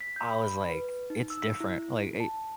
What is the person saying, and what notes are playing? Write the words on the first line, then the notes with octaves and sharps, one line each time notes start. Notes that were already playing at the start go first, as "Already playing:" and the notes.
I was like it's different. Like, eh
B6
G6
B5
B4
D#4
E6
E4
A5